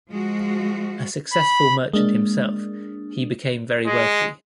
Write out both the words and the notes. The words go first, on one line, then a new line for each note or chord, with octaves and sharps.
A successful merchant himself he became very wealthy.
F3 G#3 F#4
B5
G#3 A#3 D4
G#3